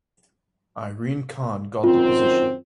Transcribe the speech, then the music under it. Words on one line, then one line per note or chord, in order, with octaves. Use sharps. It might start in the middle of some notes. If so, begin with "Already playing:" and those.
Irene Khan got the position.
F#2 D#3 C4 F4